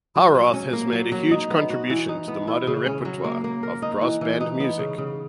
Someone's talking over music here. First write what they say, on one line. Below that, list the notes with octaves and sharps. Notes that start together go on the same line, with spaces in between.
Howarth has made a huge contribution to the modern repertoire of brass band music.
F#3
F#3
C#4
A#3
F#3
F#3
D#4
B3
F#4
E3
D#4
B3
E4
C#3
C#4
F#3
A#3
A#3
A#4
D#4
E3
E3
D#4
B3
C#3
C#3